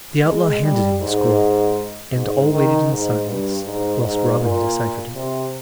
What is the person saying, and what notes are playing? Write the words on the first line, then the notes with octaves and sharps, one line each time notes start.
The outlaw handed him the scroll, and all waited in silence whilst Robin deciphered it.
G#3
G3
G#2
G#2
D#3
G#2
G2
G#2
G#2
A#2
C3